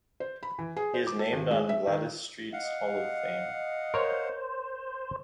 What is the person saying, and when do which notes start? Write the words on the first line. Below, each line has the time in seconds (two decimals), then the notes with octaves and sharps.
He is named on the Gwladys Street's Hall of Fame.
0.20 C5
0.43 B5
0.59 E3
0.77 G#4
0.94 C5
1.07 D6
1.19 A4
1.32 G#1
1.51 G#3
1.69 E5
1.87 D#3
2.53 D#5 F5 F#5
3.94 A#4 C5 C#5